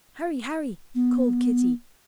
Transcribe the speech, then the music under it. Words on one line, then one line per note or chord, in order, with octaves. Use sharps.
"Hurry, hurry!" called Kitty.
B3